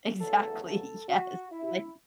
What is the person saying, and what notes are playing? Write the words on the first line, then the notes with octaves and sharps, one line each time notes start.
Exactly, yes, like
E2 C#3 F#3 A3 A4
A4
F#4
E4